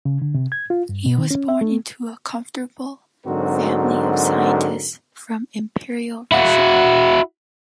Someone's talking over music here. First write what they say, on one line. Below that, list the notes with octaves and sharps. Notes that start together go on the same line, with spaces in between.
He was born into a comfortable family of scientists from Imperial Russia.
C#3
D3
C3
G#6
F4
G2
B2
D#3
C#4
E5
A3
G#2 D3 F#3 C4 F#4 A#4
E4 F#4